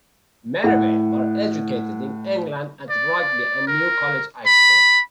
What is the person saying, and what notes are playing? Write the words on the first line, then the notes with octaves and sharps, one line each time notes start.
Merivale was educated in England, at Rugby and New College, Oxford.
A2 F#5
D5
A#4
B5